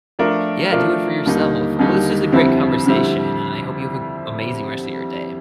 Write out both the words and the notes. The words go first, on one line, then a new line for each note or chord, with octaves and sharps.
Yeah, do it for yourself. Well, this was a great conversation, and I hope you have a amazing rest of your day.
F3 A3 D4 F4 A#4
F3 A3 D4 F4 A#4
D#2 D3 G3 A#3 D#4
D#2 D3 G3 A#3 D#4
F2 D3 G3 C4 E4
F2 D3 G3 C4 E4